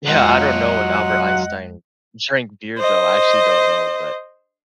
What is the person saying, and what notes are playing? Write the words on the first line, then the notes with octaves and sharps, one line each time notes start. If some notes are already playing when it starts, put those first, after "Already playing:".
Yeah, I don't know if Albert Einstein drank beers, though, I actually don't know, but
F2 F#3 G#3 F4 D#5 F#5
C5 D#5